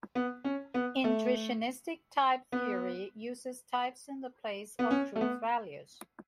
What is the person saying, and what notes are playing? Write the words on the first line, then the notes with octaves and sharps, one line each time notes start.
Intuitionistic type theory uses types in the place of truth values.
B3
C#4
B3
A3
B3
B3
C#4
A3
B3